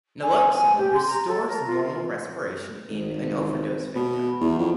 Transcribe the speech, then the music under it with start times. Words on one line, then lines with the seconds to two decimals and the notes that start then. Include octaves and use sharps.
Naloxone restores normal respiration in an overdose victim.
0.23 G#5
0.55 G#5
0.78 G4
0.94 C6
1.07 A#5
1.27 A4
1.47 A#4
1.67 F4
2.90 G#1
3.95 B2
4.41 E2
4.59 F2